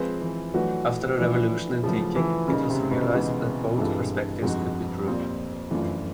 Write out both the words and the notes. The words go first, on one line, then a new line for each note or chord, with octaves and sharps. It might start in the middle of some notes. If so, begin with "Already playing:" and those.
After a revolution in thinking, it was realized that both perspectives could be true.
Already playing: F3 G#3 C4 F4 G#4 B4
E3
E3 F#3 A3 D4 F#4 B4
D3 E3 F3 A3 D4 F#4
C#3 F3 F#3 A3
E3
C#3 G3 A#3 D#4
C3
B2
E3 G#3 C4 D#4 F#4
G2 E3 G#3 C4 F4 A4
F2 G#3 C4 D#4 F#4
A#2 G3 C4 F4
F#2 E3 A3 D4 F4